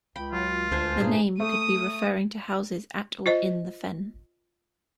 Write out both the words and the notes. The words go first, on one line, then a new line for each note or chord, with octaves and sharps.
The name could be referring to houses at or in the fen.
C#2 G5 B5
F#3 F4
D2 D4 C5 G#5
G2 A#2 D#4 G#4
A3 D#6 D#7
F4 C5 D#5